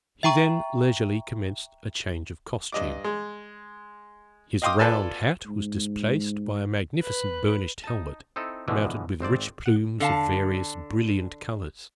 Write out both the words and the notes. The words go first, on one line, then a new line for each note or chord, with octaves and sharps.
He then leisurely commenced a change of costume. His round hat was displaced by a magnificent burnished helmet, mounted with rich plumes of various brilliant colors.
E5 G5 A#5 C#6
G2 D#5 D6
G#3
D#5 F5 G5 C6 D6 D#6
F4 A4 B4 D5 G#5 A5
G#2
B4 F#6
D#4 A5
C4 D#4 E4 A4
B2 D3 E3 F3 G#3
G#1 C4 C5 D5
F#5
D3 F5 A5